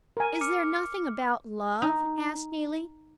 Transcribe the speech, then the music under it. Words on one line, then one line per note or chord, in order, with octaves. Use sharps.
"Is there nothing about Love?" asked Neelie.
A#4 G#5
D6 F6 C#7
D#4